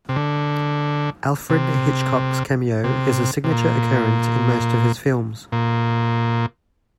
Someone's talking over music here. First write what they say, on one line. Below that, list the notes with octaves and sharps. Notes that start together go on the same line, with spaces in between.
Alfred Hitchcock's cameo is a signature occurrence in most of his films.
C3
D3
C3
C3
C3
A#2
A#2